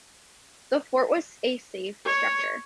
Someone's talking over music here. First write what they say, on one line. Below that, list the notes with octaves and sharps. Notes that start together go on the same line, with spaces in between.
The Fort was a safe structure.
C#5